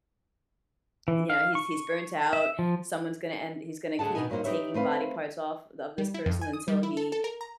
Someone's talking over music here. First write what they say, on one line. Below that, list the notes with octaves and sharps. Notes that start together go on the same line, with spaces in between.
you know, he's he's burnt out, someone's gonna end he's gonna keep taking body parts off of this person until he
E3
F5
C#6
E5
F3
D2 D3 G#4 F#5 A5
B2 B3 D#4 D#5 G#5
G2 F#3 A#3 D#4 C5
D#4 G4 B4 C#5 E5
A3 C4 B4 F5
G3
E4
F2
G#5
D#6
G3
E4
A4
A4
A#4
A#5